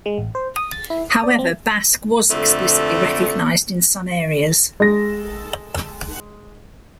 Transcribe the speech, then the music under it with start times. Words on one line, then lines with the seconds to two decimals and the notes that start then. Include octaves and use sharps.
However, Basque was explicitly recognized in some areas.
0.06 G#3
0.18 A1
0.35 C5
0.56 D#6
0.72 A6
0.90 E4
1.10 D#6
1.23 D5
1.39 C4
2.30 F2 D3 A3
4.80 G#3 A#6